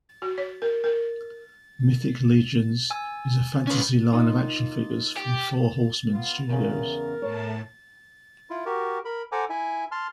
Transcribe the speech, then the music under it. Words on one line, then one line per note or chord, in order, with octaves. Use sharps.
Mythic Legions is a fantasy line of action figures from Four Horsemen Studios.
F#4
C#5
A#4
A#4
G#5 E6
C#4 B4
A#3 D#4 F4
G4
B3 F4
E2 C#3 A#4
A2 C#5 A5
E4 F4
F#4 G4 A#4
A#4 B5
A4 C5 F#5 G#5 A#5 D6
E4 E5 G#5
A5 C6 F6